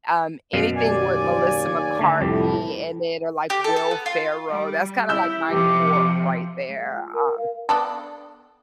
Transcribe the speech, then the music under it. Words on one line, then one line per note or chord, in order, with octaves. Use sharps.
um, anything with Melissa McCartney in it or like Will Ferrell, that's kinda like my pork right there, um
F#2 B2 F5
D#2 D5 G#5
D3 A3
C2 F2 A2 G4
G4
A4
A4
B3
F4
G3
E4 E6 G6
F2 C3 F3 G4
G#3
F4
A#4
F5
B3 D4 A4